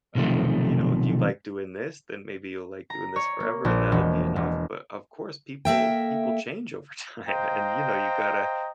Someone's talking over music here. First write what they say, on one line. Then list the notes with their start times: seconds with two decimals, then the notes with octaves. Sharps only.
uh, you know, if you like doing this, then maybe you'll like doing this forever, and that'll be enough," but of course, people people change over time, and, you know, you gotta
0.15 B1 C3 D#3 F3 A3
2.90 A#5
3.16 C#5
3.40 A#3
3.65 A#1
3.92 E1
4.36 E1
5.65 A#3 A4 E5 G5
7.28 C5 D#5 F5 G5 A#5